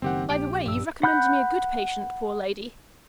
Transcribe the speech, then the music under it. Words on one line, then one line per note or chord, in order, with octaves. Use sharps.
'By the way, you've recommended me a good patient, poor lady!
F#1 D#3 C4 G4 F#5
A#1 G4 D7
G2 E6
F#5 B5 F#6 G6